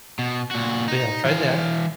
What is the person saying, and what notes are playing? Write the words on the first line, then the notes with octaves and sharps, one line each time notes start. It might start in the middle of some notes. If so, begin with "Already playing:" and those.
So yeah, try that.
B2
A#2 F#4
D#4
E3 F5